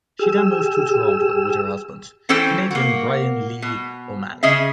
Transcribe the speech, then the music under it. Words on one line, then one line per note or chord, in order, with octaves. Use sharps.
She then moved to Toronto with her husband, Canadian Bryan Lee O'Malley.
G4 G#4 E6
E3 C#4 A4 C5 G5
A#3 F#4
B2
C#3 G#4 D#5 E5